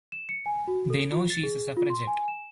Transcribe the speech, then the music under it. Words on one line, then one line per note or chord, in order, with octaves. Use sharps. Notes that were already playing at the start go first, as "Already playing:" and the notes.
They know she’s a suffragette.
E7
C#7
G#5
F#4
A4
F4
A6
G#4
F4
C6
G#5
E7